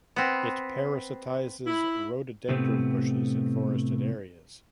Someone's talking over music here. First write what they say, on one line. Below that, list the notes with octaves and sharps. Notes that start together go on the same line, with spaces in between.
It parasitizes "Rhododendron" bushes in forested areas.
B3 C4
E4
A2 C3 A3 B3 C4